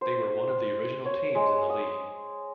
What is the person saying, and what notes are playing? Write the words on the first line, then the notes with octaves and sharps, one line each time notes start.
They were one of the original teams in the league.
C5
C#5
G#3
D#6